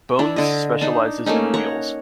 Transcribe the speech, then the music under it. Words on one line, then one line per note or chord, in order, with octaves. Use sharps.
Bones specializes in wheels.
D4 E4
D3 D#5
D4 D#4
A3 A#3 C#4 D#4
C#5 F#5 A#5 C#6